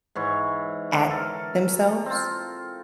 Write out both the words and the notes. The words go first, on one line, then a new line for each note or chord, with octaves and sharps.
at themselves,
G#2 E3 C#5
A4 A#4
C4 F4